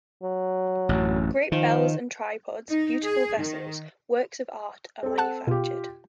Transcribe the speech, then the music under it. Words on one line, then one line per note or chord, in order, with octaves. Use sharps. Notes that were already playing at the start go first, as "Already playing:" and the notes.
Great bells and tripods, beautiful vessels, works of art are manufactured.
F#3
A1 F#2
D#3 F3
D#4
G#4
D#3
C4 A4
F#5 A5 F#6
B2 F4 G4